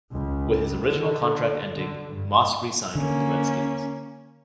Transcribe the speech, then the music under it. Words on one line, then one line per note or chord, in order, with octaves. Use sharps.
With his original contract ending, Moss re-signed with the Redskins.
C#2
D3
D3
G2
D3 A#3 C#4